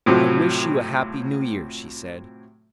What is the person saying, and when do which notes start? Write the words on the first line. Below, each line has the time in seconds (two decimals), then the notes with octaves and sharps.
"I wish you a happy New Year," she said.
0.06 A2 C3 F3 F#3